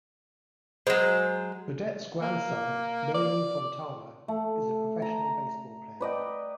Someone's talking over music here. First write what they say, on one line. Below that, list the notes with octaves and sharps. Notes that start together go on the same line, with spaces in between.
Burdette's grandson, Nolan Fontana, is a professional baseball player.
F#3 G#3 C5
A#3
D5
A3
A#5
B4 D5 D#5 G5